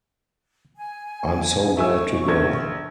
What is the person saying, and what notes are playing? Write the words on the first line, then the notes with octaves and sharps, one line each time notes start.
I'm so glad to go!
G#5
E5 G#5 C#6 E6
A#1 G#6